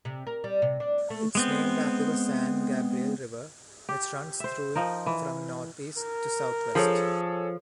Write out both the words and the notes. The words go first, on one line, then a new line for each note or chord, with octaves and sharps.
It’s named after the San Gabriel river, which runs through it from north-east to south-west.
C3
A#4
G3
C3
D4
A3
G#3 B3 C4
G4
C5 E5
F3 D#4 A#4
E3
A#4
F3 G#4 A4 C#5